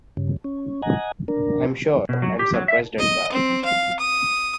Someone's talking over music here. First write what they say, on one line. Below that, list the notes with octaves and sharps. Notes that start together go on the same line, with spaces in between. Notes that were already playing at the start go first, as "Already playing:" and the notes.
I'm sure I'm surprised at that.
G2 C#3
C#4
D#5 F#5 G#5 A#5
D4 A#4
B2
F#3
G4
F#3
E5
D#5
C4
F5
D#6